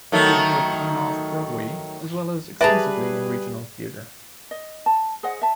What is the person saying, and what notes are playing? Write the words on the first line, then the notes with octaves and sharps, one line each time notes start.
She has worked on and Off Broadway as well as extensively in regional theater.
D#3 F#3 A3
G3 G#4 B4 D5 E5 A5 A#5
D#5
A5
G#4 C5 D#5 F#5
E5 A5